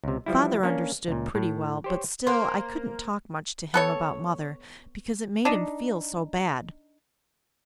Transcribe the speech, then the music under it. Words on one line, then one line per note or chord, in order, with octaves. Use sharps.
Father understood pretty well, but still I couldn't talk much to him about mother, because it made him feel so bad.
C#2 C3
E3 F3 G3 E4
A#3 C#4 D4
C#2 A#2
A2
G4 C5 C#5
A#3 A#4 C5
B3 A4 C#5
D4 D#4